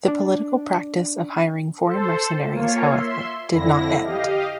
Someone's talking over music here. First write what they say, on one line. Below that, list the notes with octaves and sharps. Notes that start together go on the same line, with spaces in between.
The political practice of hiring foreign mercenaries, however, did not end.
D4
A4 C5
A#3 F4 C#5
E5 C6
F2 D3 E4 A#6
G4 D#5 F5